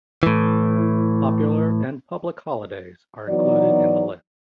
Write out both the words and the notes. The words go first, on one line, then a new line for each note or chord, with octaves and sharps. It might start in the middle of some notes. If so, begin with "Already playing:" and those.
Popular and public holidays are included in the list.
A2 E3
E3 F#3 B3 D#4 F#4 D5